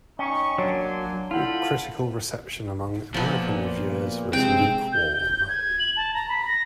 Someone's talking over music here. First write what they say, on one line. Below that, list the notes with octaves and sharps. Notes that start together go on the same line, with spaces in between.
Critical reception among American reviewers was lukewarm.
C#4 D#4 G5 G#5 C#6
F#3 A#3 D4 C#5 G#5 C6
E4 F4 A4 F#5 G5 B5
A#2 F3 B3
C3 G#3 C4 G5
G6
G6
G6
G#6
F#7
A5
A#5
B5
A#6